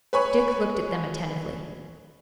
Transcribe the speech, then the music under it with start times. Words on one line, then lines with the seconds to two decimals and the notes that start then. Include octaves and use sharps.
Dick looked at them attentively.
0.13 B4 C#5 G#5 B5 C#6